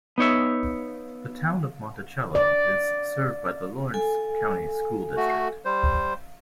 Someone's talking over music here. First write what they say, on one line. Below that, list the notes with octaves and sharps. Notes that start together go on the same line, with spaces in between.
The Town of Monticello is served by the Lawrence County School District.
B3 D#4 C#5 E5
D5
A4 G#5
A3 F#4
G3 C5